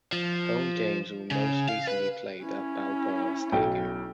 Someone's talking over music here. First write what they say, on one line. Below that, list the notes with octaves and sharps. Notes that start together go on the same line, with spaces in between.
Home games were most recently played at Balboa Stadium.
F3
C#3
F5
B4
C#4 E4
B1 G5